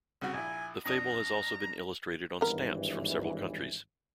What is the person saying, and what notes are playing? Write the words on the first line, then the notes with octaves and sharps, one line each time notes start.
The fable has also been illustrated on stamps from several countries.
C2 C#3 F#4
A#1 E4 G#5
F2 D4 A#5 D#6
G#1 G2 E3 B3 A#4